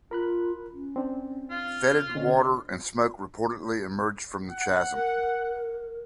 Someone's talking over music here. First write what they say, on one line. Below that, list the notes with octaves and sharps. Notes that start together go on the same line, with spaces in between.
Fetid water and smoke reportedly emerged from the chasm.
F4 A#4 B5 F#6
C#4
C4 D4
F4 F5
D3 C4 C#4 D#5
F#5
A#4